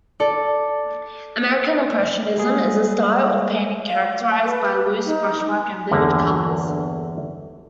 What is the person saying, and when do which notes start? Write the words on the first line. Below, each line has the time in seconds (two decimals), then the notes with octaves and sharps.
American Impressionism is a style of painting characterized by loose brushwork and vivid colors.
0.20 A4 D5
2.38 G3 G#3 A#3 G#4
3.87 F5
4.44 B4
5.06 D#4
5.91 G1 E2 D3 A#3 G4